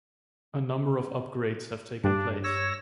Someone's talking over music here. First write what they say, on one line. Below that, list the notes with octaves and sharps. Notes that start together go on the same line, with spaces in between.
A number of upgrades have taken place.
G2 D4
C#5 E6 A#6